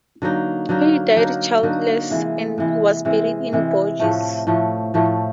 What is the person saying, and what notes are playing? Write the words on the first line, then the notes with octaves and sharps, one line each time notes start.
He died childless and was buried in Bourges.
D3 F#3 A#3 D#4
D3 F#3 A#3 D#4
D3 F#3 A#3 D#4
D3 F#3 A#3 D#4
C3 E3 G#3
C3 E3 G#3
C3 E3 G#3
C3 E3 G#3
A2 F3 A3
A2 F3 A3
A2 F3 A3